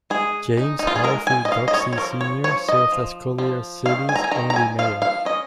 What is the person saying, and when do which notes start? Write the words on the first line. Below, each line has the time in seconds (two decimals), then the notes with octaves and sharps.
James Harvey Doxsee Senior served as Collier City's only mayor.
0.10 G#3 G#4
0.57 D#4
0.79 D#4
0.87 F4
0.96 G#4
1.03 G#3 A#4
1.27 G#5
1.45 D#5
1.51 C#4 F5
1.68 D#5
1.74 C#5
1.93 C#5
1.98 F3 A#4
2.21 C#5
2.44 F3 C#5
2.68 D#5
2.92 F3
3.38 F3
3.85 D#3 F5
4.09 G#5
4.15 A#5
4.24 G#5
4.31 D#3 A#5
4.50 A#5
4.56 G#5
4.79 F3 F5
5.02 F5
5.25 C#4 D#5